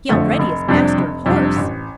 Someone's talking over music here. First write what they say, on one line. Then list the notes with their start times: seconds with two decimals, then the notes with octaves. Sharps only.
He already is master of horse.
0.09 F2 D3 A3
0.39 F1
0.68 F2 C3 G3 D4
0.97 F1
1.26 F2 C3 G3 D4
1.56 A1